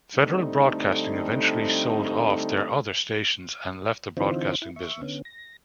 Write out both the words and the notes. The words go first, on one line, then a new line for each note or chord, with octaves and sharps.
Federal Broadcasting eventually sold off their other stations and left the broadcasting business.
D3 G3 A3 C4 D#4
D3 E3 C4 D#4 F4 C5
E4
E5 C#6
D3 B3 C#4
A#6